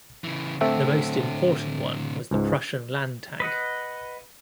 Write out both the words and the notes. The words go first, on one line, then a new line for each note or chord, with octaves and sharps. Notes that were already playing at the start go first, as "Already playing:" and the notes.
The most important one was the "Prussian Landtag".
C#3 E3
A2 D3 A3 C4 E5
C#2 G#2
B4 D#5 F#5